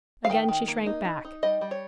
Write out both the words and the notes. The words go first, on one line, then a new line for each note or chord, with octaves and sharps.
Again she shrank back.
F5
D#3 G5
D#3
A#3
D#4
D#4
D#4
G3 D#5
G3
C#5